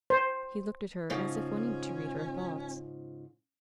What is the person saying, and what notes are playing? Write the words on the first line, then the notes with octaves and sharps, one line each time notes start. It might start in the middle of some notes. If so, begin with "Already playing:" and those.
He looked at her, as if wanting to read her thoughts.
C5
G#2 C#3 F3 C#4